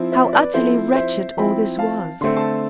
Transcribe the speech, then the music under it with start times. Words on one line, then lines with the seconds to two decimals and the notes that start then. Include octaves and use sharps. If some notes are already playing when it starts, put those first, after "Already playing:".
How utterly wretched all this was.
Already playing: F3 C4 E4
0.12 C5 E5
0.33 B4 D5
0.54 F3 C4 E4 A4 C5
0.96 C5 E5
1.37 F3 C4 E4 G5 B5
1.79 F5 A5
2.21 D3 A3 C4 C6
2.36 A5 C6